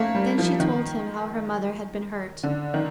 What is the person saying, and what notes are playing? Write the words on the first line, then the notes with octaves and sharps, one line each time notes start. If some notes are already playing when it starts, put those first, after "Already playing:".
Then she told him how her mother had been hurt.
Already playing: A3 A#3
G3
F3
D#3
D3
D#3